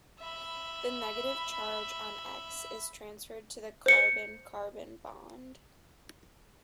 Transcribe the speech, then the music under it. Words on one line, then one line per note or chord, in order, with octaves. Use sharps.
The negative charge on X is transferred to the carbon - carbon bond.
E5 B5
C5 C#7